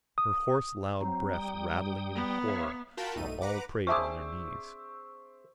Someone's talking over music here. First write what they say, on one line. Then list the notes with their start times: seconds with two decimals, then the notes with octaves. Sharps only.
Her hoarse loud breath rattling in horror, while all prayed on their knees.
0.18 D#6
1.01 F#3 C4 A#5
1.34 G3 G5 D#6
2.15 B3
2.48 C#5 E5 F5
2.97 F4 F#4 A#4 G5 A5 B5
3.15 B1 G2 A3 D#4 D#7
3.41 B4 F#5 A#5 D6
3.87 C4 D4 G#4 C5 E5 C#6 D6 E6